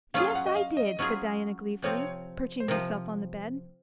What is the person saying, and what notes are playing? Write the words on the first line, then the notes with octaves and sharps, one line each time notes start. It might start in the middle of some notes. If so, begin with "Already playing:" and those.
"Yes, I did," said Diana gleefully, perching herself on the bed.
F#3 C#4 F4 G#4 F5
F5
F#5
D#5
F5
D#5
F#3 C#4 F4 G#4
C3 F3 C4 C#5
C5
C3 F3 A#4